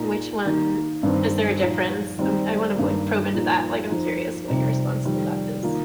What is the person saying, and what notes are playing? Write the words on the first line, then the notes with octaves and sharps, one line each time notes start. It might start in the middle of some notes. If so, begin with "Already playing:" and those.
Which one is there a difference? I’m g I wanna, like, probe into that; like, I'm curious what your response to that is.
Already playing: A#2 A#3 D#4
D#3 A#3 D#4
G2 D#3 C4
A#2 F3 D#4
D#3 G3 C4 D#4
G2 D#3 A#3
A#2 F3 A#3 D#4
F2 F3 D#4
F2 C3 G3 C4 D#4
F2 D#3 G3
D#3 A#3 F4